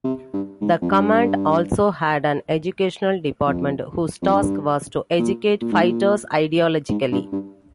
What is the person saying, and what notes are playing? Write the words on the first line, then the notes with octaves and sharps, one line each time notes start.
The command also had an educational department whose task was to educate fighters ideologically.
C3
G2
G#2
F2
G2
F2
F2
G2
A#2
A#2
G#2
A#2
G#2
G2
G2